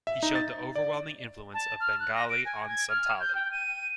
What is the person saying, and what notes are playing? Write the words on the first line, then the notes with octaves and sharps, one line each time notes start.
He showed the overwhelming influence of Bengali on Santhali.
E5
D#4
A6
D5
A5
F6
F#6
A#6
D7
G#5
G#6
F6
G6
G5
D#7